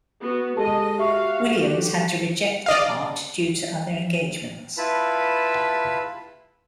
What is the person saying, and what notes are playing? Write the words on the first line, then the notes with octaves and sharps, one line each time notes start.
Williams had to reject the part due to other engagements.
B3 F#4
G#3 G4 A4 D#5 A5
F#4 G4 E5 F5 C#6
F#4 G4 A4
D5 D#5 F5
E4 F4 B4 A5 B5